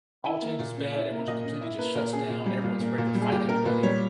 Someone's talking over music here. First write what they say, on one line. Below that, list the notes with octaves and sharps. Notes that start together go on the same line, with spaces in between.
All change is bad. Everyone just completely just shuts down. Everyone's ready to fight everybody.
E4
A#3
A#2
C#4
E4
A#3
A#2 D#5
C#4
E4
A#3 B4
A#2 A#4
C#4 G#4
A#2
G3
A#2
A#3
A#2
G3
G#4
A#2 G4
A#3 A#4
A#2 B4
G3 C#5